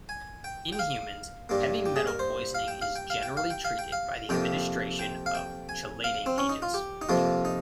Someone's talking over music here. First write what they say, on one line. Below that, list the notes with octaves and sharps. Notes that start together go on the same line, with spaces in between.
In humans, heavy metal poisoning is generally treated by the administration of chelating agents.
G#5
G5
G5
F5
G2 G3 A#3
G4
G#4
A#4
C5
F5
G5
F5
G5
F5
G5
F5
G5
F5
G5
F5
F2 C3 F3 A#3 G5
G5
F5
G5
G#5
F5
C4
C#4
D#4
F4
G4
D#4
F2 C3 F3 A#3 F4
D#4